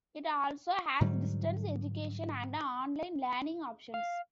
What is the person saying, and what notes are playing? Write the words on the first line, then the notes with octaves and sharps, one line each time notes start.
It also has distance education and online learning options.
G#2 D3 F#3 G3
F5